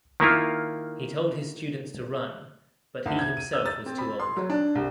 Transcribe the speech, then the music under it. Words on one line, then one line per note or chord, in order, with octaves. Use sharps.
He told his students to run, but he himself was too old.
D#3 A#3 E4 F4
D2
G#6
D#7
E6
A6
C4
B5
C6
F#3
D4
C2